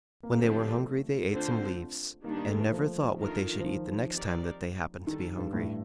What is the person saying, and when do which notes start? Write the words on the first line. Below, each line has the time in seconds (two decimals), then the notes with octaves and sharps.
When they were hungry they ate some leaves, and never thought what they should eat the next time that they happened to be hungry.
0.23 A#3
0.36 D3 F3 A3 C4 G4
1.30 D3 A3 C4 F4 C5
2.24 D#3 G3 A#3 D4
2.37 A#3
2.49 A3
2.60 A3
2.72 F3
3.19 D#3 A3 D4 F4 A#4
3.60 F3
3.65 D#3
4.13 C4 D#4 G4 A#4 D5
5.06 D#3 G3 D4 A4
5.37 G2
5.53 A2